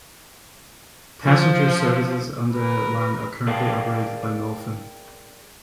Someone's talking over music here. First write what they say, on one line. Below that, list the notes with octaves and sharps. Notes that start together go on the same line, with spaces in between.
Passenger services on the line are currently operated by Northern.
F3
A#4 B4
G#4 A#4 D5 F5 G5 A5